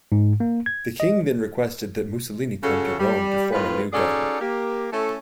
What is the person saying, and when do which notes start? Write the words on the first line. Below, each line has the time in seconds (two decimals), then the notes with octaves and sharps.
The King then requested that Mussolini come to Rome to form a new government.
0.12 G#2
0.40 A#3
0.66 G#6
1.00 D#5
2.63 C#3 C#4 F4 F#4 A4
3.00 G3
3.52 A2 D#3 C4 F4 B4
3.93 C#4 D#4 F#4 G#4 A4 D5
4.41 A#3 G4
4.92 A3 C#4 E4 A4